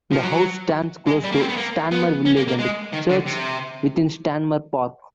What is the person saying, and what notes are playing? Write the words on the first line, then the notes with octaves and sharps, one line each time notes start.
The house stands close to Stanmer village and Church, within Stanmer Park.
F3
F#3
G#3
G3
A#3
C4
B3
A#3
B3
C#4
A#3
A#3
G#3
D#3
D3
C3